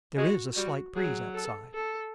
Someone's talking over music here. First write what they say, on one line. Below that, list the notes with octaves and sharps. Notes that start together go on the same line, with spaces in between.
There is a slight breeze outside.
G#3 F#4
G3 F#4
F#3 G#4
A4
A4